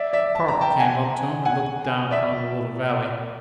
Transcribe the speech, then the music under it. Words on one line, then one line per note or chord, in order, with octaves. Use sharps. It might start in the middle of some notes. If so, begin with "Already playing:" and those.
Park came up to him and looked down upon the little valley.
Already playing: D5 E5
D5 E5
A5
A#5
G5 A5
F#5 G#5
F#5 G#5
D5 E5